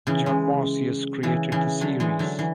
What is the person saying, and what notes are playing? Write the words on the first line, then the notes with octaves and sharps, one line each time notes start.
John Masius created the series.
C#3 E3
E3 G#3
C#3 E3
C#3 E3
D3 F#3
E3 G#3
D3 F#3
E3